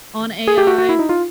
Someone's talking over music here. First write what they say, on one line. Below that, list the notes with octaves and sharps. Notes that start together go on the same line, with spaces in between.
on AI,
G#4
G4
F#4
F#4
E4
D#4
F4